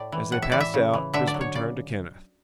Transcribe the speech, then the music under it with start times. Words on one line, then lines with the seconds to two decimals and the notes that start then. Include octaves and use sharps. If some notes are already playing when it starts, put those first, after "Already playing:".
As they passed out, Crispin turned to Kenneth.
Already playing: A2 D5
0.12 E3
0.32 A2 F#5
0.42 E5
0.52 E3 D5
0.60 E5
0.74 C#3
0.94 E3
1.14 D3 E5
1.27 D5
1.34 F#3
1.41 C#5
1.54 C#3 D5